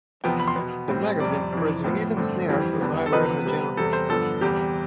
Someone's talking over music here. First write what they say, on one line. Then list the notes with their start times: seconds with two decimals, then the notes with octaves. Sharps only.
The magazine praised Venetian Snares as a highlight in the genre.
0.24 E2 C3 F3 B3 G5
0.40 B5
0.48 C6
0.56 B2 B3
0.88 A2 G3 C4
1.20 F2 C3 G3 D5
1.52 F2 C3 E3
1.84 A2 F3 B3
2.17 G2 D3 A3 C4
2.49 F2 E3 G3 C4
2.81 E2 D3 G3 B3
3.06 A4
3.13 E2 C3 F3 B3 B4
3.45 C3 G3 B3
3.77 E2 C3 G3 A4
3.93 C5
4.09 G2 D3 F3 B3 A4
4.41 E2 C3 G3 G4